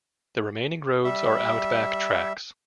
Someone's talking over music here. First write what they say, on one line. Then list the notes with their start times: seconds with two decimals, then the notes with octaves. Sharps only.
The remaining roads are outback tracks.
1.04 G3 E5